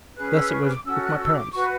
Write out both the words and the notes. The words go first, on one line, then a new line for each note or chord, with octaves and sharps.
Thus it was with my parents.
C#4 G#4 B4 F#6
E6
C#6
D6
C#4 F#4 A4 E6
F#6
E6
D6
F#4 B4 C#6